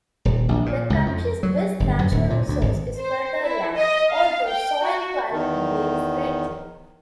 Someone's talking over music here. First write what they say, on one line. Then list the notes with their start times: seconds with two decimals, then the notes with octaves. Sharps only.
The country's best natural resource is fertile land, although soil quality varies greatly.
0.25 D#1
0.49 A#1
0.66 A#2
0.90 C#2
1.06 F2
1.43 F#3
1.80 G1
1.99 F#2
2.11 D1
2.30 A#2
2.48 D2
2.61 G#1
2.99 C5
3.43 E4
3.76 D#5
4.12 F5
4.49 G5
4.83 F#4
5.32 E2 D#3